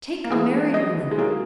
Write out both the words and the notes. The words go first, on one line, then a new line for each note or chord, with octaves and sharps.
Take a married woman.
A#3
E3 G#3 G#4
D#5
G#3
F#3 A#3 G#4